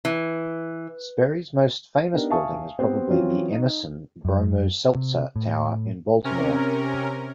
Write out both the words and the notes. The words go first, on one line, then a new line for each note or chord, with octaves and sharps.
Sperry's most famous building is probably the Emerson "Bromo-Seltzer" Tower in Baltimore.
E3
B3 D4 D#4 G4 A#4
E5 F5 G#5 A5 C#6 D#6
B3 C4 G4 C5
E3 F#3 C4 C#4 F4
D#4
F#2
C3
A2
C3 C#4 A#4